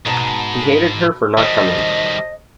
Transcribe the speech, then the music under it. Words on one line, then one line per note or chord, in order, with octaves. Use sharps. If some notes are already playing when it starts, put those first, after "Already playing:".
He hated her for not coming.
G#2 B2 A5 A#5
D#3 G3 A4 C5 D#5